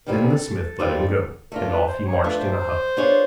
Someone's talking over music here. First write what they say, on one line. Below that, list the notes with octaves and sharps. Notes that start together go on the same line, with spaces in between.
Then the smith let him go, and off he marched in a huff.
D#3 G3 C4 F4 A#4
A4
G#4
A4
D#3 G3 C4 F4
A3 D4 F4 A#4
B4
C5
C#5
C5
A3 D4 F4 B4
C5
B3 D4 F4 G#4 C#5